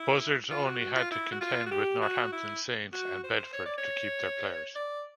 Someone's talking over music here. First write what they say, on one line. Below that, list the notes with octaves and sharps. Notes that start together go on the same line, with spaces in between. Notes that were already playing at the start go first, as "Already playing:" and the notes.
Buzzards only had to contend with Northampton Saints and Bedford to keep their players.
Already playing: E4
F4
F#4
F#4
F4
E4
F#4
F4
F#4
G4
F#4
E4
F#4
C5
C#5
D5
C#5
D5